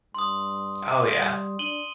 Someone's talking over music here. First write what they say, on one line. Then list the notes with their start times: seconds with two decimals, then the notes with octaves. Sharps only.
Oh, yeah.
0.14 G2 C6 D#6
1.19 G3
1.59 D4 D#7 F#7 G7